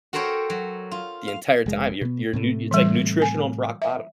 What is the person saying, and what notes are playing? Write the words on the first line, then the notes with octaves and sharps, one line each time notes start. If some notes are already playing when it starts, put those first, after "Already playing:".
the entire time. You're you're new it's like nutritional for rock bottom.
F#4 A4 A#4 C5 C#5 G5
F#3
F4
F5
F1 G#3
B2 B3
A2 C3 A3
E3 G3
G#5
E5